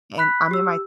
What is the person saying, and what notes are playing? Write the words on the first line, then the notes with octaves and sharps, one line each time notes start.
and I'm in my
B5 F#6 B6
G4 E6